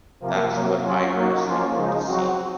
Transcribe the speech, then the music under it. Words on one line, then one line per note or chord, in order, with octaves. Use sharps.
That’s what I earnestly hope to see.
C3 F3 A#3
C3 F#3 A#3
F#3 C#4 F4
F#3 A#3 D#4 F#4
F3 A#3 C#4 F4
C#3 F3 G#3 D#4
F#3 C4 F#4